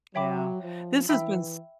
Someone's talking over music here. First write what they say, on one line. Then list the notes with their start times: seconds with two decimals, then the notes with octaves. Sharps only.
Yeah, this has been s
0.15 F#3 C#5 E5 G5 B5 D6
0.62 F3
1.09 E3 E5 G5 B5 E6